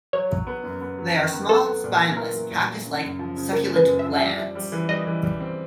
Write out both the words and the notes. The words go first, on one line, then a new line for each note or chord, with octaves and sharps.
They are small, spineless, cactus-like succulent plants.
F#3 C#5
F#3
B3
F#2
B3
F#3
D#3
B3
F#3 A4
B3
A#2
F#3
E4 A#4
F#3
A#2
F#3
C#3
F#2
F3
C#3
C#3 A#4
G#3
B4
F#2
E5
F3
G3 E5
G3
G3
E3
G3 D#5
E3
G3
C4